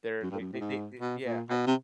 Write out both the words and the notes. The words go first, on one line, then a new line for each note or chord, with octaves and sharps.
they're they they they they yeah, I
F#2
G2
F#2
A2
G#2
B2
A#2
B2
C3